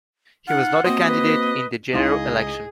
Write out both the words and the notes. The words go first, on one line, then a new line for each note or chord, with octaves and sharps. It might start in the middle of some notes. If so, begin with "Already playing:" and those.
He was not a candidate in the general election.
D#4 F4 F#5
A#3 C4 F#4 C5 D#5
B4
C#2 D#4 E4 G#4 D#5 F5 C6